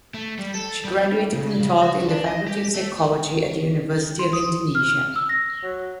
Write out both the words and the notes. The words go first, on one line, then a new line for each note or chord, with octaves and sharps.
She graduated and taught in the Faculty of Psychology at the University of Indonesia.
A3
G3
A4
G3
C#3
C#3
F#4
D4
D#5
G4
A3
C6
D#6
F6
E6
A#6
F#3